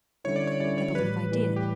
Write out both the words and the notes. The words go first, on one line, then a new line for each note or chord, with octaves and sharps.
"I believe I did."
D3 G3 C#4 E4 C#5
D5
C#5
D3 G3 C#4 E4 D5
C#5
A2 E3 G3 B4
A2 E3 G3
G4